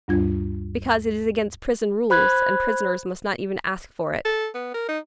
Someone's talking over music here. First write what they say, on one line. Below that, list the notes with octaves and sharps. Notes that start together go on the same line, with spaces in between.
"Because it is against prison rules, and prisoners must not even ask for it."
D2 G2 G3 D4 F4 G#6
C5 B5 F#6 G#6
A4
B3
A#4
D#4